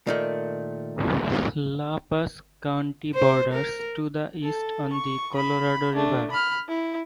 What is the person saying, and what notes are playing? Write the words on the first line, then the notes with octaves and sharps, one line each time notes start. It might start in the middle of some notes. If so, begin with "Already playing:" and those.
La Paz County borders to the east on the Colorado River.
A#2 D#3 A3
C5
A#4
A4
C#6
B5
A3 D4
B5 F6
E4